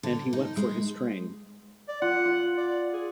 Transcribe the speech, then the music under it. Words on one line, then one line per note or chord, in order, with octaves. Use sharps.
And he went for his train.
D3
D#4
G#3
D5
F4 F#5
F4
D5
G#4